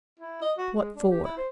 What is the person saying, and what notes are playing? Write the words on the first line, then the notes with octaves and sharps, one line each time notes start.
What for?
E4
D#5
F#4
G#3
D4
G4
E4
C5